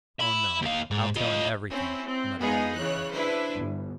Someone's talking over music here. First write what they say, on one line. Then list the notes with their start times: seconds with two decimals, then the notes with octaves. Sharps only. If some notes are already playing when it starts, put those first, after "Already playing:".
"Oh, no. I'll tell him everything," muttered Alyosha.
0.20 E5 B5
0.62 D#2 F5
0.91 G#2
1.16 F4 D#5
1.71 C4 C#4 E4
2.05 C4
2.40 G#3 B3 D#4 F4 G#4
2.77 C#3 E3 C#5 F#6
3.12 D4 E4 B4 C5
3.54 G1